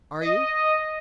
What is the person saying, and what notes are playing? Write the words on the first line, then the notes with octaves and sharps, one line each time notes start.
"Are you?"
D#5